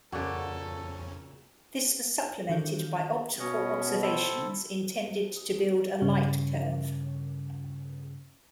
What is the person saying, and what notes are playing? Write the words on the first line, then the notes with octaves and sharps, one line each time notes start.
This was supplemented by optical observations intended to build a lightcurve.
F2 A#2 C#3 C#4 F#4 A4 D5
D#3 E3 D4 F#4 A4 G6
B2 C#4 C#5 D#5
C4 E4 A4
G2 C#3 C#4